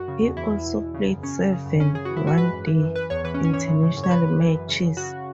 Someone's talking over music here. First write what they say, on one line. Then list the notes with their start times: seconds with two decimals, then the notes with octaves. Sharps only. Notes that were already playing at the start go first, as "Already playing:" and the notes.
He also played seven One Day International matches.
Already playing: F#2 F#4
0.08 C#3
0.22 E2
0.37 E3 E4
0.50 E2
0.66 B2
0.80 E2
0.94 C#3
1.08 F#2
1.23 C#3 C#4
1.38 F#2
1.52 C#3
1.66 F#2
1.80 C#3 C#4
1.94 F#2 G#4
2.05 E3 F#4
2.17 E4
2.24 G#2 F#4
2.38 E3 B4
2.53 F#2
2.67 E3
2.82 F#2
2.95 E3 B4
3.10 E2 C#5
3.24 E3 B4
3.34 C#4
3.39 G#2
3.44 C#4
3.54 E3 C#5
3.68 G#2
3.83 C#3
3.97 F#2
4.04 C#5
4.11 C#3 B4
4.25 F#2
4.41 E3
4.55 F#2
4.69 C#3
4.83 F#2
4.97 C#3 F#4